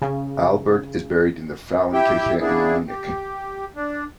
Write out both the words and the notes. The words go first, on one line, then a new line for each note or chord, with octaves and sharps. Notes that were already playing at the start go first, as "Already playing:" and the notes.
Albert is buried in the Frauenkirche in Munich.
C#3
E4 G4 E5 G5
C#3 B3 D4 E4 G#4
G4
D4